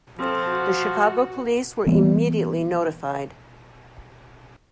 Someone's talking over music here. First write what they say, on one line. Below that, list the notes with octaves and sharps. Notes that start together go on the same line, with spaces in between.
The Chicago police were immediately notified.
F3 C4 A4
F#4
E3 G3 A#3 B3